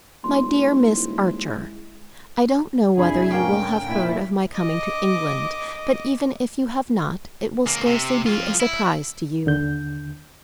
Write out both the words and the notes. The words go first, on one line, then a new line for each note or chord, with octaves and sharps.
MY DEAR MISS ARCHER--I don't know whether you will have heard of my coming to England, but even if you have not it will scarcely be a surprise to you.
D#1 G#3 E4 C6
F1 D4 E4 G#4 B5
A2 A#3 C#4 G5
A#2 E4
D#5 D6
C#2 A#3
C3
F2 F4
E4
D#2 D3 G6